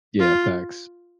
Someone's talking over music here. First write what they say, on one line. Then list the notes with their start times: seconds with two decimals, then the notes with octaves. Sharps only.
Yeah, facts.
0.20 F4